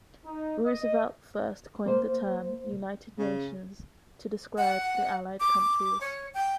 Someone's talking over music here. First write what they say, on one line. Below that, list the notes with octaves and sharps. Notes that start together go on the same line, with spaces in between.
Roosevelt first coined the term "United Nations" to describe the Allied countries.
D#4
D#5
A#3 C5
C#3
F#5
D6
C#5
G5